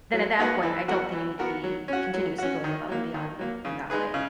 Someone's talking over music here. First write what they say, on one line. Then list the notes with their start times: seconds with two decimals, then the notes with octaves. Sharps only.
then at that point, I don't think you need to be continuously going above and beyond in that way.
0.13 F#3
0.39 A#3 D#4 F#4 B4
0.63 E3
0.88 B3 F#4 A#4
1.13 E3
1.39 B3 F#4 A#4
1.64 F#3
1.88 C#4 F#4
2.14 F#3
2.38 C#4 F#4
2.64 D#3
2.89 F#3 A#3
3.14 D#3
3.39 F#3 A#3
3.65 C#3
3.90 G#3 D#4 G#4 B4
4.14 C#3